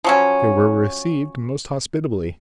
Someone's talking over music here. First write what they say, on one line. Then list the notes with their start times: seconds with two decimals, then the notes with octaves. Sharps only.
They were received most hospitably.
0.04 F3 F#3 C#4